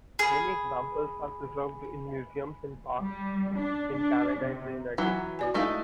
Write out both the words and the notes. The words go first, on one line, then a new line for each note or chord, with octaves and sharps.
Many examples are preserved in museums and parks in Canada and the United States.
G#4 G#5 B5
G3
D4
D4
C3
E3 F#3 F4 F#5
F#4 D5 G#5
G#3 A3 D#4 E4 F5